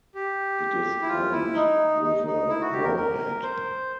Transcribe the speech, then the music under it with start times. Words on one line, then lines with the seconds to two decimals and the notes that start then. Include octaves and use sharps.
It is armed with a warhead.
0.15 G4
1.02 E4
1.08 F4
1.32 E4
1.55 D#4
2.03 D#4
2.26 D#4
2.49 E4
2.61 F#4
2.73 G4
2.84 A#4
2.96 A#4
3.43 C5